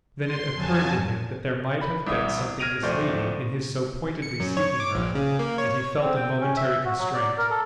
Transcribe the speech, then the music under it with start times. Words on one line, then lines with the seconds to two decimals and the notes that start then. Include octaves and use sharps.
Then it occurred to him that there might have been something misleading in his so pointedly seeking her, and he felt a momentary constraint.
0.23 C6
0.53 F2 F#3 G#5 A5
1.81 B5
2.07 C2 E3 E5 D#6
2.60 F6 G#6 A#6 D7 D#7 F7
2.82 D1 F2 A3 C5 D5 G6
4.22 C#7
4.40 F#2
4.57 C#5
4.80 D6
4.95 A#1
5.15 C#3
5.39 A#3
5.58 C#5
6.01 C4
6.16 G5
6.41 C#4
6.57 E5
6.85 F#4
6.99 F#3
7.13 D5
7.38 A#4
7.51 A4